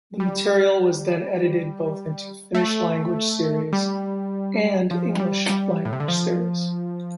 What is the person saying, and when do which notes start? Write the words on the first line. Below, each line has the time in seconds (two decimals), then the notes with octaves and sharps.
The material was then edited both into Finnish-language series, and English language series.
0.20 G3
2.55 A3
3.73 G3
4.91 F3
5.20 G3
5.50 G3
5.85 A2
5.93 C3
6.00 D3
6.08 F3